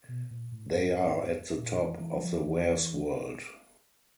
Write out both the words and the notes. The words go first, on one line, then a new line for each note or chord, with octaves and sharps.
They are at the top of the warez world.
B2
A#2
A2
G#2
A#2
E3
E3
F#3
F3
E3